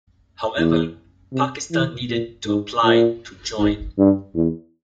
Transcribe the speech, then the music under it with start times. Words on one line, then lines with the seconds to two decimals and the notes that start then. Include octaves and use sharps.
However, Pakistan needed to apply to join.
0.58 E2
1.33 C3
1.71 E3
2.09 A#2
2.47 G#2
2.84 A#2
3.59 G#2
3.98 G2
4.35 E2